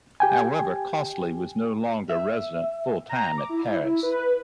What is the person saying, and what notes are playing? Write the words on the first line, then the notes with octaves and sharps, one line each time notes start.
However Costeley was no longer resident full-time at Paris.
G4 G5 G#5
E5
A#5
D6
E4
E4
B4